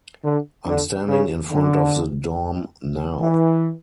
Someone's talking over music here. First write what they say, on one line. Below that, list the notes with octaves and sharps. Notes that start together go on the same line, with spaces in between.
I’m standing in front of the dorm now.
D3
D3
C#3
D3
E3